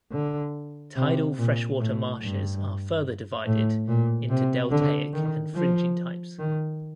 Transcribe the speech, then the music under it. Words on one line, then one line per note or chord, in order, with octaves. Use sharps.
Tidal freshwater marshes are further divided into deltaic and fringing types.
D3
C3
A#2
A2
G2
A2
A#2
C3
D3
D#3
F3
D#3